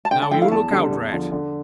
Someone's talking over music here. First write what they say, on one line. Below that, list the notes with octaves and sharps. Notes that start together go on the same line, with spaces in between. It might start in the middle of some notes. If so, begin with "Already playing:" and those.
Now, you look out, Rat!
A5
D3 G5
A5
F3 A3 E4 G5
F5
E2 A5
D3 G3
E2
D3 F3
D3